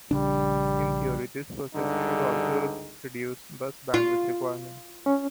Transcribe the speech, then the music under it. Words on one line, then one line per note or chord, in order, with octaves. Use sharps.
In theory this process should also reduce bus bandwidth requirements.
A#1 C#3 G3 D4
C#2 G2 D3 G3 D#4 G#4
F4
C#4